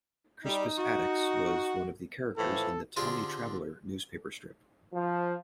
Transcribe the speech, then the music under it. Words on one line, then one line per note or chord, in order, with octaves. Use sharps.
Crispus Attucks was one of the characters in the "Tommy Traveler" newspaper strip.
G3 D#4
F#4
A2 E3 F3 A4
D3 C4 D4 F4 G4 G#4
F3